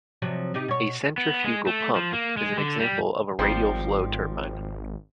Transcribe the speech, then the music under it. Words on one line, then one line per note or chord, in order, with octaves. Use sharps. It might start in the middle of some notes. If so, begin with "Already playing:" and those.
A centrifugal pump is an example of a radial flow turbine.
C3 F3 F#3
C3 D#4 G4
B2 C#5
B3
G#3
A3
F3
A#3
G#3
D3
G3
G#1 F3 G3 C4